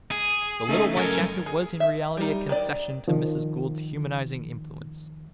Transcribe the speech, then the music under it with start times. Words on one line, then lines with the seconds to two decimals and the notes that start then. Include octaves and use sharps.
The little white jacket was in reality a concession to Mrs. Gould's humanizing influence.
0.11 G#4
0.67 C#3 A3 D#4
0.97 F#2 A4 A#4 G#5
1.46 G#4
1.80 E5
2.17 G3 D#4
2.49 D#3 D5
3.08 D#3 F3